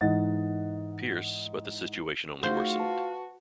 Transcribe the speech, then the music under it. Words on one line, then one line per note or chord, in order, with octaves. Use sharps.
Pierce, but the situation only worsened.
G#2 E3 D#5 F#5 A6
A3 D#4 F4 F#4 G#4 C5
B4 A5